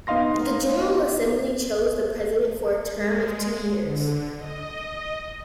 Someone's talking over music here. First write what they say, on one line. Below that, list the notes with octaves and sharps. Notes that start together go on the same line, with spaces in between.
The General Assembly chose the President for a term of two years.
B3 D#4 D#5 F5 C6 A#6
G#3
D3
D#5